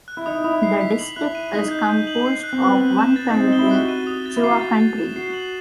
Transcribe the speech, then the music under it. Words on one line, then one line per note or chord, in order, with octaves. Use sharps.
The district is composed of one county: Chua County.
F#6
E4
D#4 D#6
E4 D#6
C7
B6
F#7
E4 F#6
D#7
D#4 B6
G6
G6
F#7
C7
F#6
C4
B3 F#6
F#7
E7
A6
D#4
C4 A6
D#4
G7
E4
G4
F#4 F#6
D#7
D#6
A6
E4
F#4 C7
A6
A6
E7
F#4 C7
F#7